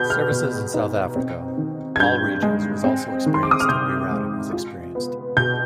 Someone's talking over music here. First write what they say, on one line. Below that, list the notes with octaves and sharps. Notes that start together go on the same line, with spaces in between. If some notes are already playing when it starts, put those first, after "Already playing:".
Services in South Africa, all regions was also experienced and rerouting was experienced.
Already playing: B2 B3 G6
F6
B2
D#4
C4
D#3
G#6
G2 G6
G#3
C4
D#3
C6
D6
D#6
F6
C3 G6
G#3
F4
B3
B2 G6